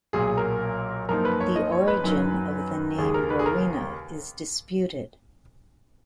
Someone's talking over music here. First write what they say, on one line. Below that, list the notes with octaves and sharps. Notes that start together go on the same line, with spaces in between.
The origin of the name "Rowena" is disputed.
B1 A#2 F#3 G#4
A#4
F#2 F3 A#3 D#4 A#4
B4
C#5
D#5
C#5
B4
F#2 D#3 F#3 C#4
D#2 C#3 G#3 G#4
A#4
B4
G#4
A#4